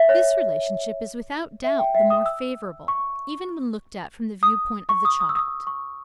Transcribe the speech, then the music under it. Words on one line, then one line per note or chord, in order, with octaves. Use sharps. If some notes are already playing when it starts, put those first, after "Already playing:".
This relationship is without doubt the more favorable, even when looked at from the viewpoint of the child.
Already playing: E5
C#5
E5
G5
E5
D#6
E6
C#6
D#6
C#6
D#6
D#6
E6
D#6
C#6